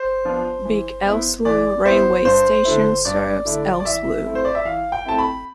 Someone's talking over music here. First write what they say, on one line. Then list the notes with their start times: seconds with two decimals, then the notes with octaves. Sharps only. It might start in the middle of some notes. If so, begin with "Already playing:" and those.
Beek-Elsloo railway station serves Elsloo.
Already playing: C5
0.25 F3 B3 D4 F4
0.65 E3
1.05 B3 E4
1.45 E3 D5
1.85 B3 E4 C5
2.25 G2 C5
2.65 D3 A3 E4
3.05 G2 D5
3.45 D3 A3 E4
3.80 D5
3.85 E3 E5
4.25 A3 C4 E4
4.35 C5
4.45 D5
4.55 E5
4.65 E3 F5
4.92 G5
5.05 A3 C4 E4 A5
5.18 B5